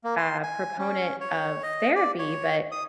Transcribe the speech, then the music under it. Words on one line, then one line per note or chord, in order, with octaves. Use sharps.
uh, proponent of therapy, but
A#3
C6
G#5
C#4
C#5
D#5
D5
C#5
D#6